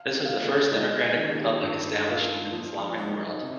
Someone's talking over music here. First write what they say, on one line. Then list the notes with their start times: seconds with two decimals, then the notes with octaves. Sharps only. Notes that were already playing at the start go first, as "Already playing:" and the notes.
This was the first Democratic Republic established in Islamic World.
Already playing: F5
0.11 C3
0.25 F5
0.41 A#2
0.71 G#2 G#3
1.01 A#2
1.16 D#3
1.32 A#2
1.40 C3
1.50 A#2
1.61 G2
2.07 F4
2.52 A#2 F3
2.97 G#2 D#4
3.43 C3